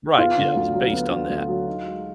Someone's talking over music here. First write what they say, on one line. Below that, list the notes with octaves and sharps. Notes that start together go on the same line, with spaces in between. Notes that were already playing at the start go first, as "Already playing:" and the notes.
Right, yeah, it was based on that.
B3 F4
D3
D2
F#3
B3
D3
D2
F#3
D#4
G#3